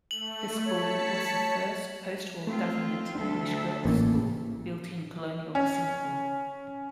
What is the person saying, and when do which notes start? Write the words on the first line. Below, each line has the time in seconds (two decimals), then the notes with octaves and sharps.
The school was the first post-war government English girls' school built in colonial Singapore.
0.11 A3 F#7
0.65 C#5 A5 B6 C#7
2.47 A3 C4 F4
3.15 D2 D4 A4
3.86 A1 A#3
5.55 C#4